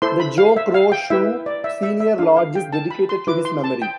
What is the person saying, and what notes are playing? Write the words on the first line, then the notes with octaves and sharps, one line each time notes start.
The Joe Crow Shoe Senior Lodge is dedicated to his memory.
E4 A4 C5 C6
B5
F5
E5
F5
G5
E4 B4 E5
D5
E5
E5
E5
D4 F4 A4 F5
F5
G5
A5
B5
C6
E4 B4 D6
C6
A5
G5